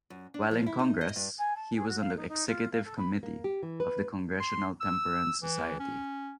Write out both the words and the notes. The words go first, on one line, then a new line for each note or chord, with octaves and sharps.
While in Congress, he was on the executive committee of the Congressional Temperance Society.
F#2
D4
F3
E4
D#4
D#5
G2
G#5
A5
G#4
F#4
F5
D#4
D#4
F4
F5
A4
B5
A#3
G4
E3
B4
C6
E6
E3
C#4